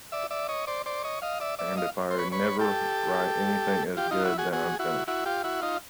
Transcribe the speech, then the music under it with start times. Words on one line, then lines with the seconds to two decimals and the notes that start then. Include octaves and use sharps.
And if I never write anything as good, then I'm finished.
0.12 D5 E5
0.31 D5 E5
0.49 C#5 D#5
0.67 C5 D5
0.86 C5 D5
1.04 C#5 D#5
1.22 D#5 F5
1.40 D5 E5
1.59 D5 E5
1.77 D#5 F5
2.11 C5
2.18 B4 C#5
2.32 B4 C#5
2.59 G4 A4
3.97 F4 G4
4.11 D#4 F4
4.24 E4 F#4
4.38 F#4 G#4
4.53 F#4 G#4
4.79 E4 F#4
5.08 E4 F#4
5.26 F4 G4
5.44 E4 F#4
5.62 D#4 F4